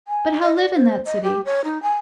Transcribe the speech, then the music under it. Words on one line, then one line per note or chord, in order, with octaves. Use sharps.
But how live in that city?
G#5
D#5
D5
C5
D#5
G4
C#5
D#4
G#5